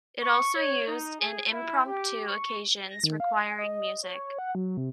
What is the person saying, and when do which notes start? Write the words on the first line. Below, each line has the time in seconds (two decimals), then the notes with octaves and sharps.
It also used in impromptu occasions requiring music.
0.23 C#6
0.55 C#5
0.88 D#4
1.21 G#4
1.51 E4
1.88 G4
2.29 C#6
2.90 A#6
3.04 D#3
3.20 F5
3.39 G#5
3.59 D#5
4.03 C#5
4.39 F#5
4.55 F#3
4.77 C3